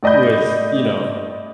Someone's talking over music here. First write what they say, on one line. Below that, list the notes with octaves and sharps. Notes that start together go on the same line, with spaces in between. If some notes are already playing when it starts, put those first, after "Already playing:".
with, you know
A2 D5 D#5 B5 G6